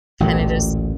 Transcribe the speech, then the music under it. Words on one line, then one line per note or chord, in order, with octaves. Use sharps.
kinda just
A1 D2 A#2